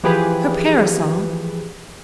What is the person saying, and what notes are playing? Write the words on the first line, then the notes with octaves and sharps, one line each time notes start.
Her parasol?
E3 F3 G4 G#4 B4